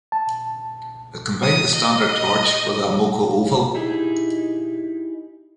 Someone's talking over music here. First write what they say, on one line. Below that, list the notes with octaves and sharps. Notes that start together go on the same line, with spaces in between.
It combined the Standard torch with the Amoco oval.
A5
D#6
D#5
D#4 E4 G4 G#4